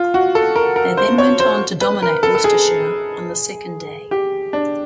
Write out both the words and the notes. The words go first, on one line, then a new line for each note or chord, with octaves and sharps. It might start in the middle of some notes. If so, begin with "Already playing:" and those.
They then went on to dominate Worcestershire on the second day.
Already playing: F4
F#4
A4
A#4
A#4
C5
C#5
C5
B4
A#4
A4
A4
G#4
G4
D4